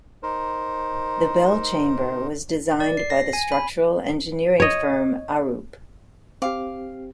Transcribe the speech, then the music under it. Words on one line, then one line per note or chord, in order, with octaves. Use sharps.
The bell chamber was designed by the structural engineering firm Arup.
D#4 A#4 C5
D5
C7
A#6
G#5
B5
C#5 D#5
C4 G4 F5 D6